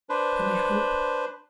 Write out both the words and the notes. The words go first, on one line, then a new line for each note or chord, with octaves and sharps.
Can I hope?
D4 B4 C5